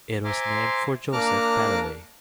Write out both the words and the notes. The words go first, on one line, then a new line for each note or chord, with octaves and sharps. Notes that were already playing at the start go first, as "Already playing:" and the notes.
It was named for Joseph Baddeley.
C5 E5 G#5 A#5 C6 D6
A#3 D4 A#5 D6 F6 F#6